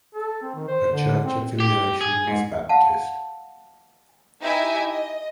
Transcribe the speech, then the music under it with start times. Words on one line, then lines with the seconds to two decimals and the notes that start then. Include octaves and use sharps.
Her church affiliation was Baptist.
0.15 A4
0.42 C4
0.55 D#3
0.68 C5
0.92 D3
1.25 C4
1.60 G4
2.01 G#4
2.27 G#2
2.69 F5 F#5 A5
4.41 D#4 E4 G4 D#5 E5 G#5
4.88 D#5